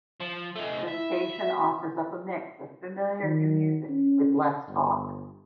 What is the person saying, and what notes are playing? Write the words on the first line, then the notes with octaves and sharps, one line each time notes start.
The station offers up a mix of familiar new music with less talk.
F3
A3 D#4
E4 E5
F#4
D#3
C#4
G1